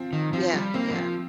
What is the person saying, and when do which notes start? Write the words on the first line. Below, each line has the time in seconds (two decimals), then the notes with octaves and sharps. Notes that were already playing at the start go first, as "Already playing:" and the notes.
Yeah, yeah.
Already playing: F3 C4
0.13 D#3
0.33 F3 C4
0.53 G3
0.74 A#3 C4
0.91 D#3
0.94 F3